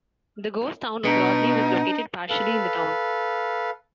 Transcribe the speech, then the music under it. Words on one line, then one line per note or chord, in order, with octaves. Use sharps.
The ghost town of Rodney was located partially in the town.
B2 D4 D#4 B4 C#7 D7
A4 B4 F5